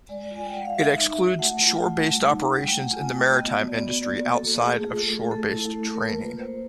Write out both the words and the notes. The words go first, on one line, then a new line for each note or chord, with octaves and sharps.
It excludes shore based operations in the maritime industry outside of shore based training.
G#3 D5
F4 G#5
G5
G#3 F#5
F5
G#3 E5
D#4
E5
F#4
A3 F#5
F4
A3
G3
D#4
G3
G5
A3 F#5
F4 G#5
A3 G5
B3 D#5
F#4
D5
B3
A#3 D5
F#4
A4
A#3
A3 G#4
F4 G#4
A4
A3 G#4
A3 A4
E4
A3
A#3 A#4
F4 B4
A#3 C5